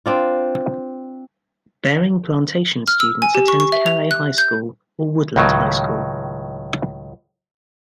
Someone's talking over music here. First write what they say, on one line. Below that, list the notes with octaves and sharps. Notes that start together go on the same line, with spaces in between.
Baring Plantation students attend Calais High School or Woodland High School.
C4 D4 F4
F6
E6
G#5
G4
C#6
C#6
E5
F7
F#6
G6
C#2 A2 D#3 F#3